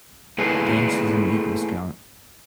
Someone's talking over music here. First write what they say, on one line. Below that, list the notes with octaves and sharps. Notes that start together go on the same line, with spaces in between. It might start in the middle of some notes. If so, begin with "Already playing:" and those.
Banks is an Eagle Scout.
A3 A#3 E4 G#4 A4 B4